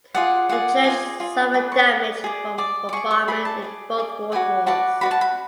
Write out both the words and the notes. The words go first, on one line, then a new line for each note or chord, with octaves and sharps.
The church suffered damage from bombardment in both World Wars.
F4 G#4 D5 F#5
F4 G#4 D5 F#5
F4 G#4 D5 G#5
F4 G#4 D5
G#4 D5 B5
C#6
G#4 D5
G#4 D5
G#4 D5 D6
D6
G#4 D5 C#6
C#6
G#4 D5 B5
A5
G#4 D5
G#4 D5
F#4 B4 D5 G#5
F#4 B4 D5 A5
F#4 B4 D5 B5
A5
B5